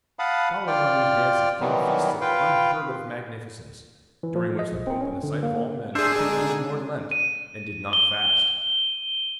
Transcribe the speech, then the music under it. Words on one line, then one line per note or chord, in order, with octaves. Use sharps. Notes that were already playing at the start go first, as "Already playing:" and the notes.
Following on these dances came feasts of unheard of magnificence, during which the pope in the sight of all men completely ignored Lent and did not fast.
F5 F#5 A5 B5 D#6
F4 D5 G5 F6
B2 D#3 E3 F#3 G3 B3
F4 B4 F5 G5
E3
F3
D#5
B1
C4
C#4
D3
A#3
D4 G#4 C5 E5
D3 G#3 D#4
D#7
G7